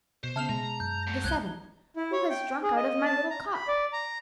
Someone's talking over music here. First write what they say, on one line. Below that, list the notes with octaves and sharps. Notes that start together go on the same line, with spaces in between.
The seventh, "Who has drunk out of my little cup?"
B2 C5
C#3 B3 E5 A5 F6 F7
B2 G#3 A#5
F#2 G6
A#2 F#3
C2 F#6 G#6 G7
E4
C#5
G5
G#4
D#5
A5
A#5
B5
D5
A#5